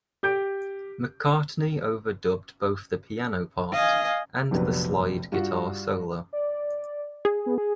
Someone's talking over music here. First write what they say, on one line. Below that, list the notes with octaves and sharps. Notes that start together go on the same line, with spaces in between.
McCartney overdubbed both the piano part and the slide guitar solo.
G4 G6 D7
D#5 F5 G#5
F1 A#1 C3 F#3 B3
G2 F4 F#4
D5
G#4
B3
G#4